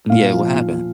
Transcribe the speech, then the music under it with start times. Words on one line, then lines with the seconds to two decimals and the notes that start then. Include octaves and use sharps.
Yeah. What happened?
0.10 A#2 F5
0.34 F3
0.56 A#2